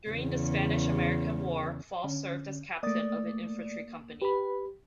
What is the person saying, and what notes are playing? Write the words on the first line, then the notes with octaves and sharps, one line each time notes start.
During the Spanish-American War, Fall served as captain of an infantry company.
E2 C#3
D3 C#4
A3 A#3 D5 D#6 A6
G4 B4 B5